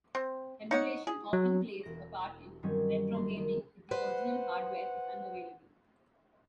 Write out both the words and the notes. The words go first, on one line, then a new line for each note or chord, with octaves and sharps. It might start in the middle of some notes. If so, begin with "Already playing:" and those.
Emulation often plays a part in retrogaming if the original hardware is unavailable.
C4
D#4 C#5 F#5
G#4
F#3
E1 A#6 D7
G2 D#3 F#3 G3 C4 C#4
F#1 C6
D#3
B4 C5 F#5